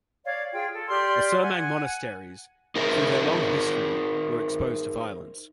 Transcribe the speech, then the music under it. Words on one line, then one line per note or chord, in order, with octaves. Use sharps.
The Surmang monasteries, through their long history, were exposed to violence.
C#5 D5 F5
F4 G#4 G5
A4
G4 D5 C6 F6
F#5 G#5
D#4 G#4 A#4 C5 D#5 E5